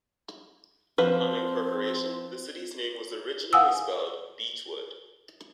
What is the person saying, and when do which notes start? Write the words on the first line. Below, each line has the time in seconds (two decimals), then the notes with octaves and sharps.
Upon incorporation, the City's name was originally spelled, "Beechwood".
0.98 F3 C4 B4
3.53 F5 F#5 G#5 D#6 E6